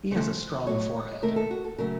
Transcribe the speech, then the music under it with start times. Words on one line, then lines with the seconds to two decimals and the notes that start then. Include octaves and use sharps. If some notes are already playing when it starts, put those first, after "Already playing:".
He has a strong forehead.
0.11 C#3 F3 A3 C5
0.67 A2 F#3 A3 C#5
1.22 C3 D#3 A3 A#4
1.36 A4
1.51 F#4
1.64 A4
1.78 C#3 F#3 A3 A#4